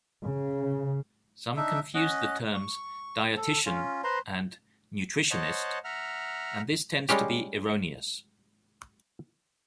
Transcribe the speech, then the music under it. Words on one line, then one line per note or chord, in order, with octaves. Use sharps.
Some confuse the terms "dietitian" and "nutritionist," and this tends to be erroneous.
C#3
D4 D#4 E5
C#4 D#5 F#5
C#6
A4
C#4 F4
B4 C5 A#5 C6
C5 C#5 D#5 F#5 A5
E5 F#5 A#5 F6
G3 G#3 C#4 G4